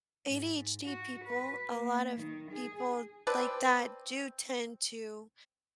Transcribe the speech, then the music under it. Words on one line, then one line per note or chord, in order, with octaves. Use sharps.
ADHD people a lot of people like that do tend to,
G#2
F#4
B4
A#3
D#3
G#4
C4 B4 D5 A5